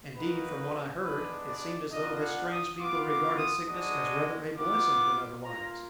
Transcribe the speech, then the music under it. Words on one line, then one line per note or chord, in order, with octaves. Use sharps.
Indeed, from what I heard it seemed as though this strange people regarded sickness as rather a blessing than otherwise.
A#3 D#4 F#4 B4
G#3 B3 D4 B4
D5
B3 D4 F4 D#5
F#5
D#6
B3 F4 D6
D6
D#6
G#3 D4 F#4 D#6
B3 F4 D6
A#3 F4 A#5